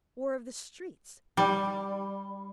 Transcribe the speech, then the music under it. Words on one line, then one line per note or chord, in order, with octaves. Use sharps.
War of the streets?
G3